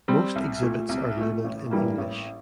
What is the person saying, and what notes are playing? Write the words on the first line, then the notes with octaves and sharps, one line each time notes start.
Most exhibits are labelled in English.
G3 C4
C2
A#2 A3
C2
A#2 A3
A1
G2 E3 G3 A#3
A1